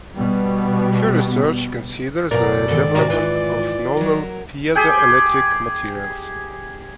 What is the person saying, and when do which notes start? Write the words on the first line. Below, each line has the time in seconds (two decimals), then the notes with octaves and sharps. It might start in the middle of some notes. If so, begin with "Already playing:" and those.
Her research considers the development of novel piezoelectric materials.
0.18 B2 G3 B3
2.31 F#2 B2 A#4 D5
2.68 G#2 D#3 A4
2.95 C3 C#4 F#4 A#4
3.10 E3 F4
3.97 F#3 A#4
4.75 G4 G#4 G5